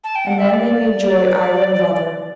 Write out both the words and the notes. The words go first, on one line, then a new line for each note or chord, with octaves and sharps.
And then they made joy either of other.
A5
G5
F#5
E5
D5